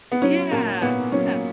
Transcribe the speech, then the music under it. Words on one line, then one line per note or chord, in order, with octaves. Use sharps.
Yeah, yeah.
B3
F#3 C#4
A#2 A#3
A#2 B3
F#3 C#4